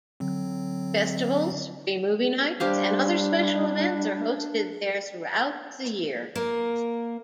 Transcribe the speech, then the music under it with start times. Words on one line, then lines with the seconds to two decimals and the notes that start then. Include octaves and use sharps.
Festivals, free movie nights and other special events are hosted there throughout the year.
0.20 D3 F#3 C4
2.60 G3 D4 G4 C5 F5
6.35 A#3 A#4